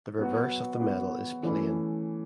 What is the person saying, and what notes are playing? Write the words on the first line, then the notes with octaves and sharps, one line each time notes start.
The reverse of the medal is plain.
F#3 B3 F#4
F#3 B3 F#4
E3 A3 C#4 E4